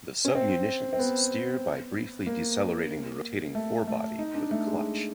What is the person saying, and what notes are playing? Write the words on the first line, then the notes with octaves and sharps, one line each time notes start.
The sub-munitions steer by briefly decelerating the rotating fore-body with a clutch.
C#4
C4
C4
B3
A#3
A3
A3
D#4
D4
A3
G#3